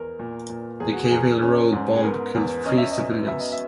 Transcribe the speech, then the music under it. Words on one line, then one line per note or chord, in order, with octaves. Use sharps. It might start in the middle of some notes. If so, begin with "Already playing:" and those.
The Cavehill Road bomb killed three civilians.
Already playing: E2 A#4
A#2
A#2
E2 G#4
F#4
G#4
E2
C#4
G#2
G#4
B3 A#4
E2
C#4 D#5
E5
D#5
F#2
B3 E5
D#5
E5